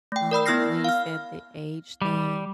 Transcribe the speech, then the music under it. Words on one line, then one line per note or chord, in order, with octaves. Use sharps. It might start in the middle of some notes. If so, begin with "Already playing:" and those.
um, when you said the age thing
A3 G5
A#4 D5 B5 E6
B3 E4 E6 F6 A#6 C7
F5 F6
G3